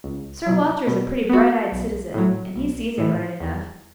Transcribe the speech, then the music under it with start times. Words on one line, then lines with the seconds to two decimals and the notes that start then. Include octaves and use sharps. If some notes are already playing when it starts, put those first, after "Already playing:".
Sir Walter is a pretty bright-eyed citizen, and he sees it right enough.
0.04 C#2
0.46 B2 F#3
0.87 B2
1.29 B3 F#4
1.72 B1
2.14 A2 F#3
2.56 B1
2.98 A2 E3
3.40 E2